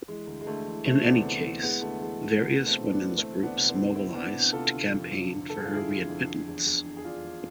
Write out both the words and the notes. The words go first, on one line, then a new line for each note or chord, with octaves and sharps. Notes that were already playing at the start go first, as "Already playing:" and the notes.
In any case, various women's groups mobilised to campaign for her readmittance.
E3 G#3
D2
G#3
D2 A3
E3
E3 A3 C4
C3 B3 D4
D2
E3
E3 G#3 B3
D2 A3
E3 G#3
D2
C3 G#3 B3
D2
A3 C4
E3
B3 D4
E3
D2 A3 C4
D2 C4
B3 D4
C3
C4 E4
D2
C3 C4 E4
D2 B3 D4
C3
C3 F4 A4
D3
F2
F2
D3
D3 A4
G#4
F4
D3 E4 G#4
D3
F2
D3
E2
E2
E2
G#4
E2 D4 F4
E2